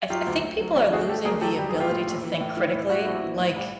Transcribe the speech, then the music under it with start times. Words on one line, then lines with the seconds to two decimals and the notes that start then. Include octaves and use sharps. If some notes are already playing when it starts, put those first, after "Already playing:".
I th I think people are losing the ability to think critically. Like,
0.10 F#3 F4 G4
0.26 D2
0.43 D2
0.60 F#3
0.75 D2
0.92 A3 F#4 G#4
1.08 A3 G4 A4
1.25 D2 G#4 A#4
1.41 F#3 G4 A4
1.58 G3 G4
1.69 G#4
1.74 A#1
1.80 F4 G4
1.91 A2
2.07 A#1
2.24 E3
2.40 A2
2.57 E3
2.74 A2
2.90 G3 E4 F#4
3.07 A#1
3.23 E3
3.39 A2
3.56 G3